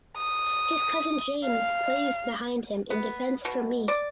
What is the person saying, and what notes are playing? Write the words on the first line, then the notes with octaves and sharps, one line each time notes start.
His cousin James plays behind him in defence for Meath.
D#6
F5
B3
B2
D5